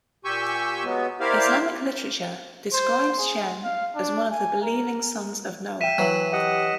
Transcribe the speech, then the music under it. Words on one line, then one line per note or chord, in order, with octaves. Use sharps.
Islamic literature describes Shem as one of the believing sons of Noah.
A#2 G4 G#5 C#6 E6 G6
F#3 G#3 B3
E4 G4 A#4 C5 D5 F5
C5
G#4
F5
D4
G#5
A#4
E5 G5 B6 D#7 E7
E3 F#3
G4 D#5 F#5